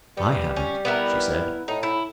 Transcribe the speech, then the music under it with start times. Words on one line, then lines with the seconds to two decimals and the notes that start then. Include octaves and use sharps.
"I haven't," she said.
0.17 G3 B3
0.57 C#4
0.85 B3 E4 A#4
1.68 A2 D#4
1.83 E4